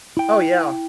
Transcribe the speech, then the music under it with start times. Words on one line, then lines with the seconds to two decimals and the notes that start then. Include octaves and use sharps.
Oh yeah,
0.17 E4 G5